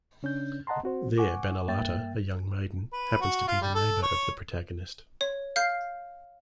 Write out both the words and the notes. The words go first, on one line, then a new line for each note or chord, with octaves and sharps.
There Banalata, a young maiden, happens to be the neighbour of the protagonist.
C#3 C#4 D4 G6
D#5 F#5 A5 A#5 C6
C4 F#4 C5
F#5 G#5 C#6 D6
G2 A#3 E5 G5 A6
B4
F#4
F4
G3
A4
C#5
C#5
F5 F6 G6 C7